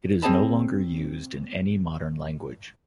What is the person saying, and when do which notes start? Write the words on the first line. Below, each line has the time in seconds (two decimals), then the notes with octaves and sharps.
It is no longer used in any modern language.
0.22 C4 G#4 C#5 D#5 A5 B5